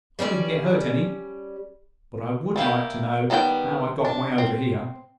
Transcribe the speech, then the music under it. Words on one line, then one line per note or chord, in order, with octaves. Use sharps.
"I didn't get hurt any; but I would like to know how I got 'way over here."
G3 C#4 D#4 D5
G3 A#3 E4 G4
D#3 G3 B3 F4 G5
D4
C4